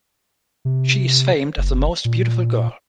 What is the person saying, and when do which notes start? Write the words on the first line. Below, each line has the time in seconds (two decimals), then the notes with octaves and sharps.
She is famed as the most beautiful girl.
0.65 C3
1.57 F#1
2.05 A#2